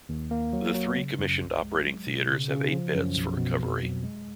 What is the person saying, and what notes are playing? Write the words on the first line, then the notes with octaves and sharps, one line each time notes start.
The three commissioned operating theatres have eight beds for recovery.
D#2
A#3
F#3
F#3
C#3
F#2
B1
G#3
F#3
B2
C#3
C#3
F3
F#2
B1
B2
F2
F#3
G#3